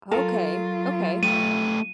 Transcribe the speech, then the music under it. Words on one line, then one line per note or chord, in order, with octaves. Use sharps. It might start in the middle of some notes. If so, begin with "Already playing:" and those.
Okay, okay.
F#3 F4 A4 A#4
A3 G4 D#7